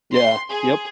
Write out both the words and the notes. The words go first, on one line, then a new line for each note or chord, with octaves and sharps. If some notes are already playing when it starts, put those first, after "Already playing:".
Yeah. Yep.
C6
G#4